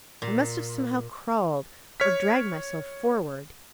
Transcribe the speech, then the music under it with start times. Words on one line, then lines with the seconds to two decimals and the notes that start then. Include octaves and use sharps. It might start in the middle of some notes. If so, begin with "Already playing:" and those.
I must have somehow crawled, or dragged myself forward.
0.22 A#2
2.00 C#5 F6 B6